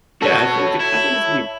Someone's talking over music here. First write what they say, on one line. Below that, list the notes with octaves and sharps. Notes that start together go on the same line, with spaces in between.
Yeah, I think it I think it's really
F#4 A4 B4 C#5
E4